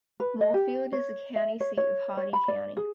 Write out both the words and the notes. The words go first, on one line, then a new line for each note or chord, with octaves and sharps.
Moorefield is the county seat of Hardy County.
B4
D#5
G4
C#5
E5
C#5
C#5
C#5
B5
D5
G#4